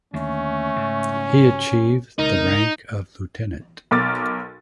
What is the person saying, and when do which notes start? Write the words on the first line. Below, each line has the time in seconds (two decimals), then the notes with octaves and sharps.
He achieved the rank of lieutenant.
0.14 D#2 D3 A3 C#4
0.76 G#2 C#3
2.19 C#2 B2 D#4 A#4
3.91 B1 A#4 D6 A6